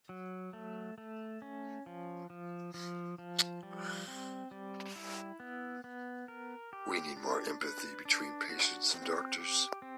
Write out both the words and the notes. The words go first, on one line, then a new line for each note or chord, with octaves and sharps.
We need more empathy between patients and doctors.
F#3
A3
A3
C#4
F3
F3
F3
F3
G3
C4
G3
E4
B3
B3
A#4
G4
D4
B4
D4
F#4
C4
G4
C4